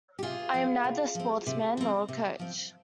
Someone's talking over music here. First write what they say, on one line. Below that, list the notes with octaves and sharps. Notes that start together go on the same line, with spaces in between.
I am neither a sportsman nor a coach.
G4
C3 F4 G#4
F3 C4
C3
F3 C4
C3
F3 C4
C3
F3 C4